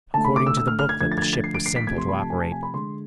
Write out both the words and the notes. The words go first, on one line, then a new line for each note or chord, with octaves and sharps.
According to the booklet, the ship was simple to operate.
D3 A3 A5
B5
D6
E6
E6
F6
F6
G#6
D3 F3 A3 G#6
A6
G#6
A6
A6
C7
D7
C7
B6
C3 F3 A3 G#6
C6
B5
A5
G#5
A5
G#5
B5
D3 G#3 C6